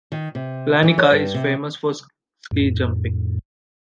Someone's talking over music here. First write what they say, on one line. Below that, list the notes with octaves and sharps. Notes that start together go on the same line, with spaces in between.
Planica is famous for ski jumping.
D#3
C3
E3
C#5
G2
C3
F2 A2